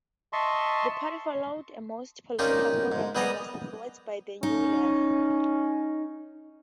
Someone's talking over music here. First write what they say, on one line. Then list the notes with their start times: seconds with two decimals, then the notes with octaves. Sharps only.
The party followed a Maoist political program, and was influenced by the New Left.
0.33 D#5 E5 A5 C6 C#6
2.39 C#4 D#4 F4 G4 A#4 D5
2.92 G#2
3.15 G3 B3 G#4 D5 D#5 A#5
4.43 C#4 D#4